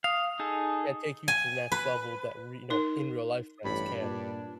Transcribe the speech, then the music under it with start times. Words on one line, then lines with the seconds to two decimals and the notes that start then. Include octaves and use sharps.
can't take you to the next level that, re no, in real life friends can,
0.04 F5 D#6
0.39 D#4 G#4 A4
1.28 G#5
1.72 B4
2.70 D#4 A#4
3.64 A1 G2 B5
3.99 A#2 D4